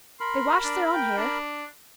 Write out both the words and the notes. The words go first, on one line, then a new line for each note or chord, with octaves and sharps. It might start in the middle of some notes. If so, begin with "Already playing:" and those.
They washed their own hair.
A#4 B5 C6
D4
G5
D4